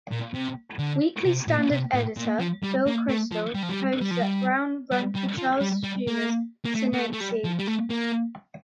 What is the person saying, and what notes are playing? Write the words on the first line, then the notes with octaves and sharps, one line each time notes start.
Weekly Standard editor Bill Kristol proposed that Brown run for Charles Schumer's Senate seat.
A#2
C3
D3
C3
A#2
C3
A2
A#2
F3
G3
A#3
A3
F3
G3
F3
G3
G3
F3
G3
G3
G3
F3
G3
G3
A#3
A#3
A3
A#3
A3
A3
G3
F3
G3
A3
A#3